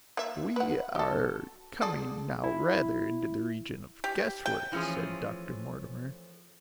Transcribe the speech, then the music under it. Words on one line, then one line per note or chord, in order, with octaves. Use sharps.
"We are coming now rather into the region of guesswork," said Dr. Mortimer.
A#3 E5
B4 F#5
F#4 A4
G#4 A4 D5
E4
G4
G5
E3 F3 A3 C#4 G#4